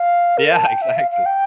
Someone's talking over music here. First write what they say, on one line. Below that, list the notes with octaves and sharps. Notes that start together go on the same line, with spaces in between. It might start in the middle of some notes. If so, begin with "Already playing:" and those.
Yeah, exactly.
Already playing: F5
A#4
A5
G5
E5
F5
F5
G5